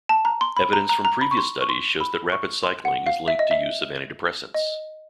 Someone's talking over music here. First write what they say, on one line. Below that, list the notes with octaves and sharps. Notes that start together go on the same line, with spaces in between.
Evidence from previous studies shows that rapid cycling is linked to use of antidepressants.
A5
A#5
C6
B5
A#5
A#5
A#5
B5
C#6
C6
C#6
C6
B5
C#6
C6
F#5
F5
E5
D#5
E5
D#5